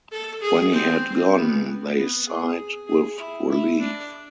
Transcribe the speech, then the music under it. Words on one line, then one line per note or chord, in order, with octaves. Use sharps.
When he had gone, they sighed with relief.
A4
G#4
C4
B3
B3
G#4
G#4
E4
E4
D4